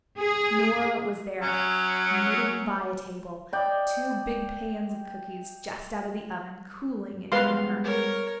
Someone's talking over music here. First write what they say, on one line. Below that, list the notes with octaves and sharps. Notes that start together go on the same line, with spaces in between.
Nora was there knitting by a table, two big pans of cookies just out of the oven cooling in front of her.
G#4
F#3 C#4
D5 D#5 G5
G3 G#3 B3 B4 F5 C6
A#4 C#5